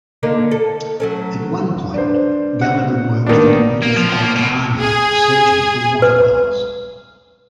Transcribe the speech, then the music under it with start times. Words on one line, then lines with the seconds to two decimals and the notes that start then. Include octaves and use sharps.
At one point, Gallagher worked for the British Eighth Army searching for water wells.
0.23 D3 A#3 D#4
0.51 A4
1.00 F#3 A3 C#4
1.94 D4 B4 C5
2.61 F#5
3.27 A1 A#2 D#3 B3 D4
3.82 A#3
3.97 F3
4.09 F3
4.22 A#3
4.36 B2
4.79 G#4
6.02 B4